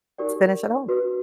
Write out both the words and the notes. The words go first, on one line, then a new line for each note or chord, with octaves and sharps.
finish at home.
D#4 G4 A#4 D5 G5
D4 F#4 B4